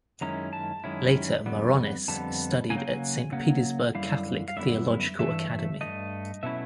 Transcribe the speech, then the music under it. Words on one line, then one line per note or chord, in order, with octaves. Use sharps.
Later Maironis studied at Saint Petersburg Catholic Theological Academy.
F#2 D#3 G#3 C#4 E4 A#5
A5
F#2 D#3 G#3 C#4 E4
F2 D3 G3 B3
F2 D3 G3 B3 A5
C#3 F#3 A#3 G#5
G5
G#5
C#3 F#3 A#3 F#5
F#2 D3 G3 E4 F5
F5
F#2 D3 G3 B3 E4 E5
G2 E3 A3 E5
E5
G2 E3 A3 D#5
B2 F#3 A3 C#4 E4 E5